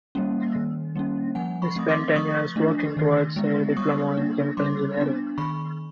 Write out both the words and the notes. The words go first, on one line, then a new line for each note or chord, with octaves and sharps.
He spent ten years working towards a diploma in chemical engineering.
G3 A#3 C#4
D#3
G3 A#3 C#4
F3 F#5 G#5
B5 C#6
A3 C4 D#6
C6 D6
F3 C#6 D#6
A3 D4
D#3
G#3 B3
G3 C#6 D#6
A#3 D4
G3 C6 D6
B3 D4
D#3 B5 C#6